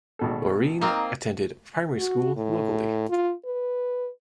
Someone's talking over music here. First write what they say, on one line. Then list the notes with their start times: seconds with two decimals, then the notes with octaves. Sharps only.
Doreen attended primary school locally.
0.19 G#1 B2 A4
0.81 A#3 C4 D#4 F4
1.98 F#4
2.36 A2
3.10 F4
3.45 B4